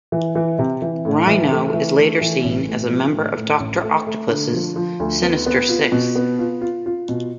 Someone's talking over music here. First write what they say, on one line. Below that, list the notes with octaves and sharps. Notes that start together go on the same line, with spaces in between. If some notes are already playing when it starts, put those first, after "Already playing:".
Rhino is later seen as a member of Doctor Octopus' Sinister Six.
E3
E3
C3
E3
A2
E3
A3
E3
A3
E3
A1
A2
F3
A2
A2
A1
A3
A3
D3
F3
F3
D2
B3
B3
F4
B2
B3
F4
F4
F4
B2